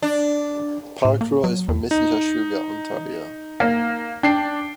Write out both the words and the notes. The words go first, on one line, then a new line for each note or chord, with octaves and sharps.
Pakrul is from Mississauga, Ontario.
D4
A2
A#3
F#3
E2
D#4
A#3
D4 G5 C7